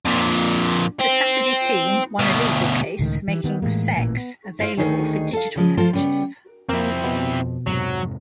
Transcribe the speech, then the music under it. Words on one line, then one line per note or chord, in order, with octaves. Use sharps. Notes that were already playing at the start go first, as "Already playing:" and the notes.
The Saturday Team won a legal case, making "Sex" available for digital purchase.
F2 A#2
C4
D2 B2
C#2 A2 D#3
E3
D#3 B3
A2 E3 G#3 A#3
A1 A#2 E3 A#3
B3
E4 C5 F5
D2 G#2 D#3 D#4 G#4 C#5
A4 F5
C#3 F3 G#3
F3 F4 A4 C5
C#3 G3 B3
F2 F3 A#3 C4 E4
B2
F2 G#2 C3 F#3